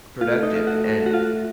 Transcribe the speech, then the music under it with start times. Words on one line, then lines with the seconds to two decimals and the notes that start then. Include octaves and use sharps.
productive and
0.21 A3 F4
0.43 D#4
0.55 F4
0.67 F#4
1.06 F#4
1.14 F4